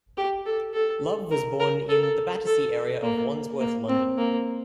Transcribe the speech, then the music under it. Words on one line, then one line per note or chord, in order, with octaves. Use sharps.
Love was born in the Battersea area of Wandsworth, London.
G4
A4
A4
A#4
A#4
A4
A4
A#3
A#3
C4
A#3